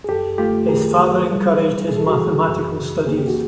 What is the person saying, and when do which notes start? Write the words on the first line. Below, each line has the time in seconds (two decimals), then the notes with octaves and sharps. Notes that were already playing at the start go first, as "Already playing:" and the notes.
His father encouraged his mathematical studies.
0.04 G#4
0.09 F#2 G4 A4
0.38 A3 F4 G4
0.68 D#3 G#4 A#4
0.98 F#3
1.29 G3
1.58 E3
1.88 G#2 G#4
1.97 A4
2.07 F#4 G#4
2.18 E3
2.47 F#2
2.77 C#3
3.07 A#3 G#4
3.17 G4
3.28 F#4